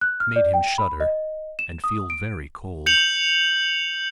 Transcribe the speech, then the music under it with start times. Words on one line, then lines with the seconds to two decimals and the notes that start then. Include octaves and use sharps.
It made him shudder, and feel very cold.
0.01 F#6
0.20 F6
0.36 D5
0.54 G5
0.78 B5
1.00 D#5
1.59 E7
1.84 D#6
2.10 D7
2.86 G6 C#7 F7 F#7